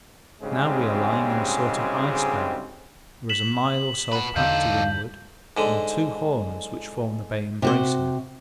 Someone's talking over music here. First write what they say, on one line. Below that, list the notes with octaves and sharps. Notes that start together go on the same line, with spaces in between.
Now we are lying in a sort of ice bay--there is a mile or so of pack to windward, and two horns which form the bay embracing us.
D2 G#2 C#3 G3 G#3 C4
B6 E7 F#7
F#4 B4
E2 D3 D#4 A4 F5 G6
G#2 D3
C3 F#4 C5